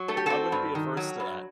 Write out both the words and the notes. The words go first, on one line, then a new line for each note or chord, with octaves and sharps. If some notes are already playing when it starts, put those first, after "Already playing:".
I wouldn't be adverse to that.
Already playing: F#3
A3 A4
G4
C4 F#4 A4
G2
D#3
F#3
G2